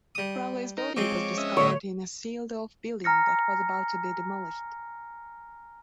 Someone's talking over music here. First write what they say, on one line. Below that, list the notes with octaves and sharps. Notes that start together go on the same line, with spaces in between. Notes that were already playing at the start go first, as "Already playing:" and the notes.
Crowley's body was discovered in a sealed-off building that was about to be demolished.
G3 D#6
D#4 A#4
F3 G#3 C4 C#5 D6
C#4 D#5 E5
A2 D3 C#5
G#5 A#5 F6 A#6 C#7